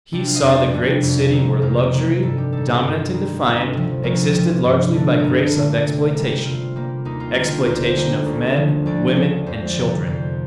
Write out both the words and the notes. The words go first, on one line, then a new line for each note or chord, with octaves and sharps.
He saw the great city where luxury, dominant and defiant, existed largely by grace of exploitation-- exploitation of men, women and children.
C3 G3 D4
F5
D#5
F2 D5
C3 G3 D4
F2
C3 D#3 A#3
F2 A#4
C3 D#3 A#3
G2 A4
G4
D#3 G3 A4
F4
G2 F4
D#3 G3
D2
C3 F3
D2 A#4
C3 F3
G2
D3 A3 D4
A#4
G2 A4
D3 A3 D4
C3
G3 A#3
C3 F4
G3 A#3
D#2 D#4
F4
D3 G3 A#3 F4
F4
D#2 C5
D3 G3 A#3
D2
D3 F3
D2 D5
D3 F3
F2 C5
D5
C3 D#3
D5
F2 C5